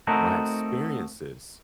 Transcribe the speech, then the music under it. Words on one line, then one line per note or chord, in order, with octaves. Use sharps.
my experiences
A3 C4 D#4 F#4 A4 A#4